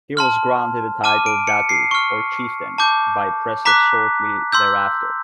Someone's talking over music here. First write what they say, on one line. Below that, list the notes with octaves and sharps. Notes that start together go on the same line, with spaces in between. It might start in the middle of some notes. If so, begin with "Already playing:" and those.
He was granted the title "Datu", or chieftain, by Presas shortly thereafter.
A5 C6 F6
A5 D6 F6 D#7
D7
C#7
C7
C#6 F6
A5 D6 G6
A#5 D6 F#6 B6
C6 E6 G6